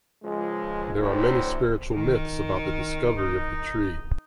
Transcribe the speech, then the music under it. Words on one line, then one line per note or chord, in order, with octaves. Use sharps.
There are many spiritual myths about the discovery of the tree.
C#2 F3 G#3
D2 A2 C5
D#3
D#4